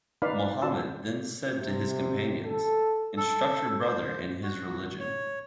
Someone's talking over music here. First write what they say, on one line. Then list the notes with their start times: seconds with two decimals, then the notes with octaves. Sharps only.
Muhammad then said to his companions, Instruct your brother in his religion.
0.22 D#4 B4 D5 F5 B5
0.62 F#4 A5 E6
1.54 C3
2.45 A4
3.17 A4
3.81 C5
4.43 F#4
5.00 C#5